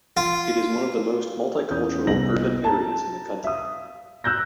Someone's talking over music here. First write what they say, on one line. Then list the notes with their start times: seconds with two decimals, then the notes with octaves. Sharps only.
It is one of the most multicultural urban areas in the country.
0.17 F4
1.70 E2 C#4 D#6 G6
2.07 C2 B3 D#5 A#6 F#7
2.64 A5 A#5
3.44 E5 F5 D#6
4.24 E6 F#6 G6 A#6